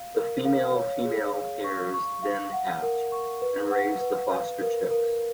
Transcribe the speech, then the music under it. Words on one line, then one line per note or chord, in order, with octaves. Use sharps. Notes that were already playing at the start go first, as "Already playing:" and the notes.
The female-female pairs then hatch and raise the foster-chicks.
Already playing: F5
A#4
F5
C#5
G#4
F5
C#6
C#6
F5
F#5
A#4
C#6
B4
F#5
B4
F5
A#4
A#4